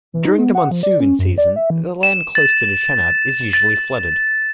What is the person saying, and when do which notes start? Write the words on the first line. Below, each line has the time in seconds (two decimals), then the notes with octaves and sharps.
During the monsoon season, the land close to the Chenab is usually flooded.
0.14 E3
0.25 D#4
0.39 B3
0.55 F#5
0.71 F3
0.83 D5
1.00 C#4
1.19 F#2
1.38 D5
1.56 E5
1.70 E3
2.03 E7
2.35 A6
3.53 A6